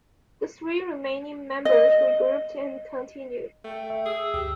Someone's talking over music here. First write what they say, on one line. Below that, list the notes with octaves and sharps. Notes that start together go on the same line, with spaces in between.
The three remaining members regrouped and continued.
D#5
A3 G5
E5
G#4 E6
D2 G4